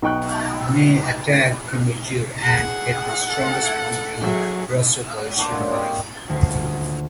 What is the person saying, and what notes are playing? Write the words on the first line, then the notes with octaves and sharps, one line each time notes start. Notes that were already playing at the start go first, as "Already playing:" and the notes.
Ney attacked premature and at the strongest point in the Russo-Prussian line.
B1 D#4 G5 C#6 F#6
G#4 F#5
A4
F#3 G#4 E5
A#3 D4 B4 C5
D3 F#3 G#3
C3 G3 D#5 C#6
D#1 D2